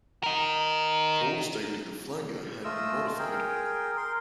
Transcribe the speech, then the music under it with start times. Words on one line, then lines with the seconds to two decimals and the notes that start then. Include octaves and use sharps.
Paul stated the flanger had been modified.
0.23 A#4 D#5
2.64 A3 F4 D#5 E6
3.18 G#4 A#4 G5
3.97 A#4 C6